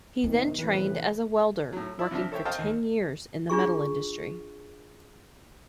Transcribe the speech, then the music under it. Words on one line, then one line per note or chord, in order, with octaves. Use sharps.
He then trained as a welder, working for ten years in the metal industry.
F2 C3 D#3 B3
A#1 A2 C3 E3 B4
A2 F#3
E4 D5
C3 F3 D4 E5
A4 C5 C#5 E5 G5
C5 C#5 D#5 F5 G5 A5
D#2
D4 F4 G#4 C#6